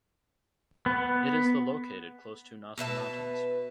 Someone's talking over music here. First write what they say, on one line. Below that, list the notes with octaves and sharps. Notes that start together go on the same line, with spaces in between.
It is the located close to nasu mountains.
B3
B2 B4 E5 A5